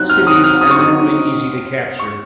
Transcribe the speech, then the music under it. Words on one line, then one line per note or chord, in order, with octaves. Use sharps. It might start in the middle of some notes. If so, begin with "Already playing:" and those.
Cities are normally easy to capture.
Already playing: F#3 C4 D#4 F#6
F6
D#6
F6
D#6
C#6
D#6
C#6